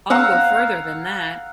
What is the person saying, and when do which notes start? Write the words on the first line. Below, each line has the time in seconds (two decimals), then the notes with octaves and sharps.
I'll go further than that.
0.10 F5 F#5 A#5 E6